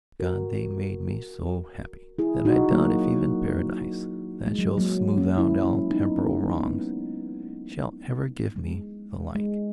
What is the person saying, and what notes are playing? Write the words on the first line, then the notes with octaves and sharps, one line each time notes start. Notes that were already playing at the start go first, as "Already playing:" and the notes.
Oh God, they made me so happy that I doubt if even paradise, that shall smooth out all temporal wrongs, shall ever give me the like.
F#4 A#4
E4 G#4
D#4 F#4
F#3 A#3
G#3
F#3
F#3 A#3
A#3 C#4
C#4 E4
C#4 E4
B3 D#4
A#3 C#4
G#3 B3
G#3
G#3